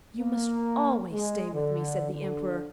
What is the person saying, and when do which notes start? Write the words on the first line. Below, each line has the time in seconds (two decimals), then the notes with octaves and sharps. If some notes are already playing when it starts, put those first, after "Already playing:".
"You must always stay with me," said the Emperor.
0.20 A#3
1.13 G#3
1.53 D3
2.12 D3